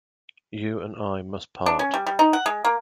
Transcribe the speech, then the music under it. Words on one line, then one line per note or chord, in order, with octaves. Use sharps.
You and I must part.
D4
C#4
G3
G3
D#4
F#5
G#3
A#3